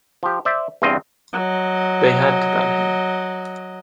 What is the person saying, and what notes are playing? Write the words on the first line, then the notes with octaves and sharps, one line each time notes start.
They had to ban him.
F3 G4
C5 D5 E5
E2 G2 C4 F4 D#5
F#3 D#5